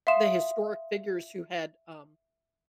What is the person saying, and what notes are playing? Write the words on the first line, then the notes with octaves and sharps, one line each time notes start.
the historic figures who had, um,
E5 F5 C6 D#6 E7